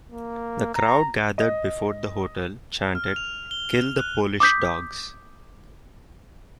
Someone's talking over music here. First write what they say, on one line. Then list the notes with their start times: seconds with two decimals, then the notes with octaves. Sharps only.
The crowd gathered before the hotel chanted Kill the Polish dogs!
0.11 A#3
0.75 A#5
1.38 D#5
2.95 F6
3.16 F7
3.51 G7
3.99 F#6
4.40 D6 D#6 G6 B6